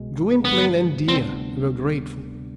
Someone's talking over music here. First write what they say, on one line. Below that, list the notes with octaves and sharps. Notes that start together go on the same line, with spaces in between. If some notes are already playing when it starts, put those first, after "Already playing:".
Gwynplaine and Dea were grateful.
Already playing: C2 B2 G#3
G#1 G2 D3 F3 G#3 B3
D2 C3 G3 B3 C4 D4